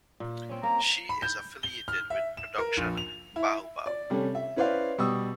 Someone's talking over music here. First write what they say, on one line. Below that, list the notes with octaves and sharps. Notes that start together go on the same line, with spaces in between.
She is affiliated with Production Baobab.
A#2
C4 C#4
A#3 A#5
B5
G6
G7
F6
E5
E7
A#4
A#1
F7
E4
D5
C3 G3 A3 C#4
E5
C#4 E4 B4 C5 D5 F5
B2 G3 C#6 D#6 E6